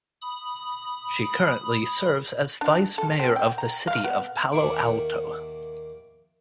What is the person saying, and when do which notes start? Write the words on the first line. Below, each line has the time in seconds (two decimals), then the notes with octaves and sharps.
She currently serves as Vice Mayor of the City of Palo Alto.
0.21 B5 D#6
2.61 D4
2.98 A4
3.20 C4
3.36 G5
3.58 A#5
3.87 F5
4.04 B3
4.52 D#2 A#3 E5 F#5 D6